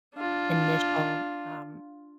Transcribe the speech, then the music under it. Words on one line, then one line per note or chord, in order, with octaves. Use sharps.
initial, um,
D4 F4